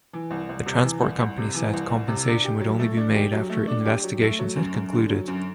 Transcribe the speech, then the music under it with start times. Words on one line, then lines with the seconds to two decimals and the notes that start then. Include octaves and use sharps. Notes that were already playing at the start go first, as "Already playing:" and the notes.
The transport company said compensation would only be made after investigations had concluded.
0.13 E3
0.30 C2
0.49 C2
0.66 C3
0.84 E3
1.01 C2
1.20 C2
1.38 C3
1.55 E3
1.73 C2
1.90 C2
2.08 C3
2.26 D4
2.44 G4
2.61 F#3
2.79 A3
2.97 D4
3.15 G4
3.32 F#3
3.50 A3
3.67 D4
3.85 G4
4.04 F#3
4.22 A3
4.39 F#3
4.56 F#2
4.75 F#2
4.93 D3
5.10 F#3
5.28 F#2